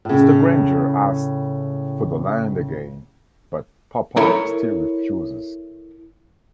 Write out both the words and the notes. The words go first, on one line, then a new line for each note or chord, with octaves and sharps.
Mr. Granger asks for the land again, but Papa still refuses.
A2 C#3
E4 A4 A#4 C#5 A#5